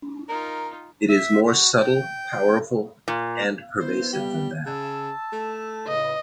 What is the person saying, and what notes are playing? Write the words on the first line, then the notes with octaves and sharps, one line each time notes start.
It is more subtle, powerful and pervasive than that.
D#4 F4 A#4
E5
F#4
G5
A#2
B3 E4 C5
G3 G4
C#3 A5 E6
A3
A2 C#3 B4 D#5